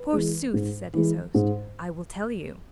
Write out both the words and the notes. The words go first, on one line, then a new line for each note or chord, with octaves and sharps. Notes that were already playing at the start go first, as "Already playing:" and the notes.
Forsooth, said his host, I will tell you.
Already playing: B4
E3 G#3
G#2
E3 G#3
G#2